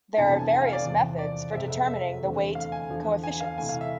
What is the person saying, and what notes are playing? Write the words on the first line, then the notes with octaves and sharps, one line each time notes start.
There are various methods for determining the weight coefficients.
F2 C3 E3 B3 D4 A5
A5
G#5
G#5
F5
D5
E2 C3 F3
D5
F2 C3 G#3 C4 E5
E5
E5
E2 D3 A3 C4
F5
G#5
E2 D3 F3
G#5
F5
C3 E3 A3 G#5
F5
E5